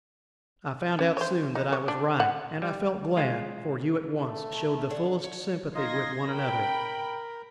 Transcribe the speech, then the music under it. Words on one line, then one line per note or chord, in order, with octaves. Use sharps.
I found out soon that I was right, and I felt glad, for you at once showed the fullest sympathy with one another.
C#4
C5 C#5
D#4
C#5
D4
F#5
G3
G#3 F4
A3
A#4
D4 C#5 F#5
C#5
D#4 F4 D#5 C6 G#6 A#6
A#4 G5 B5